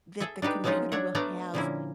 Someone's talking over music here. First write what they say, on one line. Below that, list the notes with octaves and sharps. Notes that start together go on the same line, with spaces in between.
that the computer will have
G#4 A4 E5
D4 D#4 G4 B4
F3 F#3 G#3 C#4 D#4 F4
D4 C#5 E5 F#5
A3 B3 D4 D5 F#5 A#5
A#2 D3 F3 A#3 C#4 E4